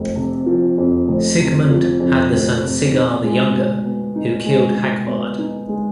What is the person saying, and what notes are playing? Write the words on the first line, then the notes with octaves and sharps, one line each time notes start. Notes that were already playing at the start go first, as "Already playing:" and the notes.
Sigmund had the son Sigar the younger, who killed Hagbard.
Already playing: F1 F2
C3
F3
F2
F1
C3
F3
F2
F1
C3
D#4
G#3
B2
B3
D#4
G#3
B2
B3
D#4
G#3